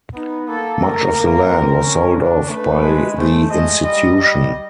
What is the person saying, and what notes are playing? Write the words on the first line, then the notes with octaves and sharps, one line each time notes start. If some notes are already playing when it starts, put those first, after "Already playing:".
Much of the land was sold off by the institution.
B3 D#4
A#3 A4
A3 A#4
A#3
C4
C#4
D4
A3 B4
G#3
A3 C5
G#3 D#5
G3 D#5
G3 D#5